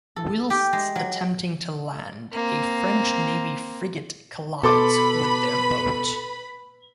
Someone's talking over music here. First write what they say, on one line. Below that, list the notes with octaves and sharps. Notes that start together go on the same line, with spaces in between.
Whilst attempting to land, a French navy frigate collides with their boat.
A4
G4
G#3
F#3
A#3 C4
B2 A4 B4 B5 C6 D6